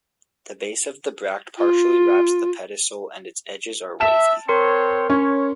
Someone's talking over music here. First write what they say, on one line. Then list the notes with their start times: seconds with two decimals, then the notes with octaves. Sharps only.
The base of the bract partially wraps the pedicel and its edges are wavy.
1.58 F4
4.00 E5 A5 E7
4.48 C4 A#4 C#5 C6 C#7
5.10 C#4 C#5